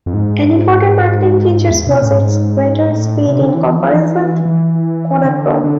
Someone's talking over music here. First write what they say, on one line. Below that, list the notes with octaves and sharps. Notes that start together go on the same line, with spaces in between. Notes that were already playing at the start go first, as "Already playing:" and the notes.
An important marketing feature was its greater speed in comparison to Kodachrome.
F2
G#2
E2
C3
B2
A2
G#2
A2
C3
D3
E3
E3
F3
E3
E3
D3
D3